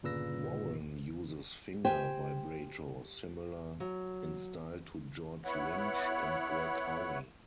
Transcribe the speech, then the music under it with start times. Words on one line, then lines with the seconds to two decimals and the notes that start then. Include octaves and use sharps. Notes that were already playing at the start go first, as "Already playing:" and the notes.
Warren uses finger vibrato, similar in style to George Lynch and Greg Howe.
0.03 G1 A#2 C#3 B4 E6 A#6
1.85 G4 C5 G5 G#5
3.80 F#3
5.45 B3 E4 C#5 F#5